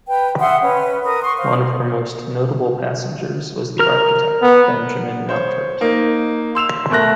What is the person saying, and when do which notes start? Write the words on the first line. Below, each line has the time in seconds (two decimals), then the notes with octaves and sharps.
One of her most notable passengers was the architect Benjamin Mountfort.
0.08 B4 G5
0.39 E5 F#5 C6 D#6
0.61 C#4 B4
1.02 A#4 B4 D#6
1.22 C6 C#6
1.37 C5 F5
3.79 A#4 F6
4.42 B3
5.29 C5 C#5
5.81 A#3 D#4
6.55 C6 E6 E7 F7
6.90 B2 A3 A#4 F#6 A#6